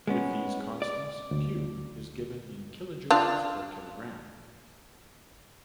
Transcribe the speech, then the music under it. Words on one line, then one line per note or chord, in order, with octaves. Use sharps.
With these constants, "Q" is given in kilojoules per kilogram.
G#3 B3 C#4
D5
D2
D4 F4